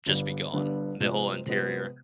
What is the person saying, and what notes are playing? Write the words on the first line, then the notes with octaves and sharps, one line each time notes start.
just be gone, the whole interior.
G1 G2 D3 G3 B3
G1 G2 D3 G3 B3
C3 F3 G#3 B3
C3 F3 G#3 B3